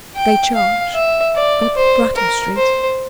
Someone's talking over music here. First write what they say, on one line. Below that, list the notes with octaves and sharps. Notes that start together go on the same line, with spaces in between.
They charge Up Brattle Street.
G5
F5
E5
D5
C5
A#4
C5